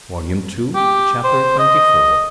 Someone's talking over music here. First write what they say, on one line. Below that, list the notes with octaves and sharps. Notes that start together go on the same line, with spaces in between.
Volume Two, Chapter XXIV.
G4
C5
D#5